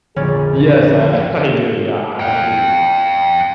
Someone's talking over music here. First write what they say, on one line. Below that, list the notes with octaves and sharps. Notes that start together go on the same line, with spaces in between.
Yes, I I do, yeah, I actually
A#1 F2 D3 C#4 G#4 D5
F5 G5